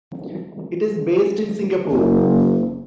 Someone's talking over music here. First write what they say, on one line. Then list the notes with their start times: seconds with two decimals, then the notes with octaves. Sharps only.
It is based in Singapore.
1.91 F#1 A#3